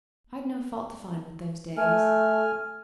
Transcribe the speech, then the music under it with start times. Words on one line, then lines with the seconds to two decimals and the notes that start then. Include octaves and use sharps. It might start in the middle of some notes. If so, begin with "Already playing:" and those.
'I'd no fault to find with those days.
1.78 A3 G#5 F6